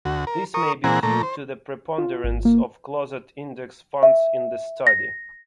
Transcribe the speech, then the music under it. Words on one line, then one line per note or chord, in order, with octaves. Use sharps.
This may be due to the preponderance of closet-index funds in the study.
D2 F#4
A#4
A#4 C#6 D#6
A#2 E3 C4 G#4 F#5 A#5
A#2 A3 A#5
C5
F4
G#1
A#3
E5
A#6